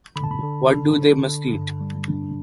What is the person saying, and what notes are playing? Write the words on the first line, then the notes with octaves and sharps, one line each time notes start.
What do they must eat?
D3 B5
A5
B5
D3
D3
D3
D3
G2
G3
D4